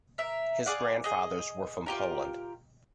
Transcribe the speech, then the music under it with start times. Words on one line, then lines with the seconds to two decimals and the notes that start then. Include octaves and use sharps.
His grandfathers were from Poland.
0.18 A#4 E5
0.66 G#4 D5 F5 F#5
1.04 G#4 D#5
1.86 F4 G4 A#4